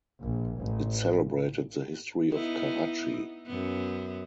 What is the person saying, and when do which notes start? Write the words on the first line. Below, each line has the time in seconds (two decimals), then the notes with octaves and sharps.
It celebrated the history of Karachi.
0.22 A#1
0.58 A1
2.32 B3 D#4 E4
3.46 F#2 B3